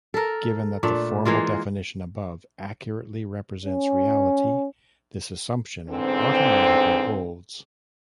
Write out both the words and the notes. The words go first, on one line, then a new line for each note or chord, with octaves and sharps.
Given that the formal definition above accurately represents reality, this assumption automatically holds.
A4 A#4
A#2 A3 D4
E3 G#3 A#3 F4
C#4
E2 G#2 D3 E3 C4